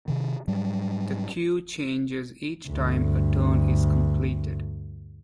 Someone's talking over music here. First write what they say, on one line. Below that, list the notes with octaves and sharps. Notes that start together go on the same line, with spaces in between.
The queue changes each time a turn is completed.
C3 D#3
G#2 F#3 G3
D2 G2